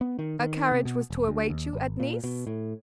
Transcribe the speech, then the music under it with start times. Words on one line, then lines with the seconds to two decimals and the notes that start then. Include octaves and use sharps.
"A carriage was to await you at Nice?"
0.01 B3
0.19 D#3
0.39 D#3
0.72 C3
0.85 B2
1.10 E1
1.28 D2
1.50 D#2
1.73 G#1
2.00 A#2
2.24 B2
2.47 A2